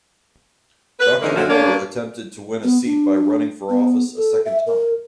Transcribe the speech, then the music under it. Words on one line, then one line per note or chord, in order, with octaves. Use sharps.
Doctor Porter attempted to win a seat by running for office a second time.
B4
D3 E3 G#3 A#3 C#4 D#4
F#2 A#2 D3 F3 A#3 F#4
A#3 C#4 D4
B3
D4
B3
A4
E5
A#4